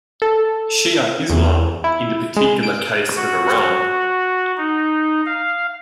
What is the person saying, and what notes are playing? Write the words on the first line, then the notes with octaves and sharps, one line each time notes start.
Shia Islam in the particular case of Iran.
A4
E2
E4
G#3
D7
F#4
D#4
F5